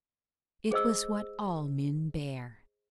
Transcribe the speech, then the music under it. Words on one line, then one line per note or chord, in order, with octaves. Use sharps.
It was what all men bear.
G#4 C5 D#5 E6